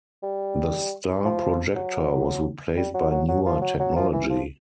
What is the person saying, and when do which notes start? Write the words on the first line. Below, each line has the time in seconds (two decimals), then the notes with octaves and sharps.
The star projector was replaced by newer technology.
0.23 G3
1.25 F3
1.76 F#3
2.77 G3
2.94 F#3
3.11 F#3
3.28 F#3
3.45 F3
3.62 F#3
3.79 F#3
3.96 F3
4.13 E3
4.30 F3